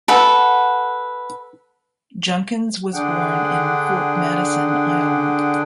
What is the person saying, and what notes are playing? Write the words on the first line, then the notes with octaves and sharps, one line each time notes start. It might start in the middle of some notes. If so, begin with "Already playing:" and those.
Junkins was born in Fort Madison, Iowa.
A4 B4 F#5
D3 D4 G#4 F#5 G5